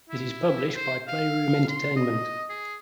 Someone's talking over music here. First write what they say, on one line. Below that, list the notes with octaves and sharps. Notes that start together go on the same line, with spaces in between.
It is published by Playroom Entertainment.
E4
C5
F5
C6
D#5
G#4